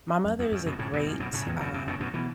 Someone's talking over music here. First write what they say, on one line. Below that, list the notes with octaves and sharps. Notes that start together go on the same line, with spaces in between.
my mother is a great, um,
F#2
E2
F#2
F#2 B2
A2 C#3
F#2 B2
F#2
F#2 B2
A2 C#3
E2 A2
F#2 B2
F#2 B2
F#2 B2
F#2 B2
B2 E3